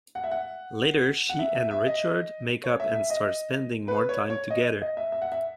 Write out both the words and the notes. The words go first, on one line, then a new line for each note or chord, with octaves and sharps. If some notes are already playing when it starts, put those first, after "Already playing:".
Later she and Richard make up and start spending more time together.
F#5
E5
F#5
F#5
E5
E5
E5
D#5
C#5
E5
E5
D#5
B4
C#5
C#5
D#5
D#5
E5
E5
F#5
E5